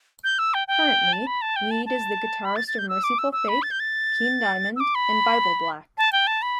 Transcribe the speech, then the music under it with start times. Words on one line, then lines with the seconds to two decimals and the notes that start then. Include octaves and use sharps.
Currently Wead is the guitarist of Mercyful Fate, King Diamond, and bibleblack.
0.24 G6
0.39 E6
0.54 G5
0.68 G5
1.13 A5
1.27 B5
1.42 A5
1.56 G5
1.71 A5
1.86 A5
2.45 B5
2.56 A6
2.67 A6
2.78 G6
2.89 E6
3.04 D6
3.18 E6
3.32 E6
3.48 B5
3.62 A6
3.71 G6
3.80 A6
4.76 E6
4.80 D6
4.95 B5
5.98 A5
6.12 G5
6.27 A5
6.42 B5